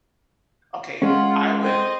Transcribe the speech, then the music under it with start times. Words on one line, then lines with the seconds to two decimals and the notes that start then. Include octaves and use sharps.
okay, I would
1.02 G#3 C#4 F4 F#5
1.63 C4 D#5